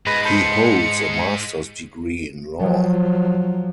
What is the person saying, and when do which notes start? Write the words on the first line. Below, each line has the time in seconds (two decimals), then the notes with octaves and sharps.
He holds a master's degree in law.
0.07 G#2 G#3 B4 A#6
0.25 A4 B4 C5 C#7
2.60 F3 F#3